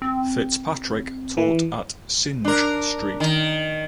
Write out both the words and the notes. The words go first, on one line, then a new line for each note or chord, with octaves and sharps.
Fitzpatrick taught at Synge Street.
C4
E3
D4 A#4
D#3